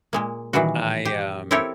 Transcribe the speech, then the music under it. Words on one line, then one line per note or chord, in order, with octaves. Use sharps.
I, um,
A#2 G#3 A#3
A#2 D#3 E3 G3 F#4
G4
C4 E4 G4 A4 A#4 C#5